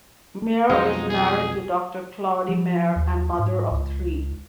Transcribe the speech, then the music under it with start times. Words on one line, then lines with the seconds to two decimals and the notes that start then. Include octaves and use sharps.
Meyer is married to Doctor Claude Meyer and mother of three.
0.70 B1 F2 B2 G#3 D#4 C5 F5
1.09 G#4
2.48 F3
2.96 D#2
3.39 G#2
3.71 C#2